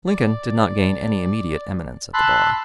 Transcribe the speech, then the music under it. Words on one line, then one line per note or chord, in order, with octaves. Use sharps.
Lincoln did not gain any immediate eminence at the bar.
D5
A5 B5 C6 E6 F#6